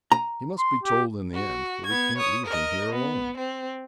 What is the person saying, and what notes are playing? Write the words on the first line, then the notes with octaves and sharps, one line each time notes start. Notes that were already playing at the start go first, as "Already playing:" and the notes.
"He must be told in the end, for we can't leave him here alone."
A#5
C6
G4
F#4
B3 G#6
C#5 D#6
A#4 D#5
B3
C4